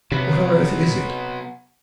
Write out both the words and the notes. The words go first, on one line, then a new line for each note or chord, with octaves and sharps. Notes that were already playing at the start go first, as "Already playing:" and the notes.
"What on earth is it?"
C3 F#3 B3